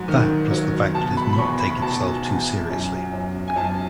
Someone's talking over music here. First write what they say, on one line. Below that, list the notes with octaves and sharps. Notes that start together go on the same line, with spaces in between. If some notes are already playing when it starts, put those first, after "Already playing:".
That plus the fact that it does not take itself too seriously.
Already playing: G#2 F#3
D#3
F#3
B2 A5
B5
B5
E2 C#6
B5
B2 A5
E2
F#2
F#2
G#5
F#2 A5